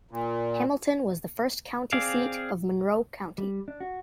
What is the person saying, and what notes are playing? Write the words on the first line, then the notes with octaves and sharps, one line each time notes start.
Hamilton was the first county seat of Monroe County.
A#2
C4 G#4 D5 F5
G3
D4
F#4